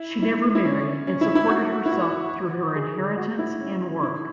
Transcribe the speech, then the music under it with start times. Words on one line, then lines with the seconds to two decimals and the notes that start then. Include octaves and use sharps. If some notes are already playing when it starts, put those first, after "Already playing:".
She never married and supported herself through her inheritance and work.
Already playing: E4
0.22 E4
0.55 E4
0.65 C#4
1.07 C#4
1.21 E4
1.35 E4
1.49 F#4
1.86 E4
1.92 F#4
2.76 G#4
3.18 F#4
3.39 E4
3.61 C#4
4.03 E4